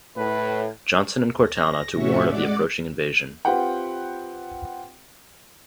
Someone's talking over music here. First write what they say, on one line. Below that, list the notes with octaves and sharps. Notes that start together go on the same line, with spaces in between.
Johnson and Cortana to warn of the approaching invasion.
A2 B4
A#6
A2 C3 C#4 F#4 E5 C#6
G#3 D5 F#5 D6
C4 F4 G4 B4 F#5 G5